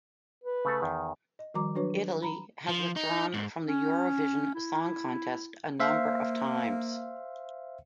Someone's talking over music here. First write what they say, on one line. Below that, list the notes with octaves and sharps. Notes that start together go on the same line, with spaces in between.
Italy has withdrawn from the Eurovision Song Contest a number of times.
B4
C#3 A3 A4
E2 D#3
D#5
D#3 F3 G3 F#4 A#5 D6
F#3 D4 F#4 B4 C#5
A#5 B5
F3
D#4
G#2
C#4
E4
A#3 C5 E5 F5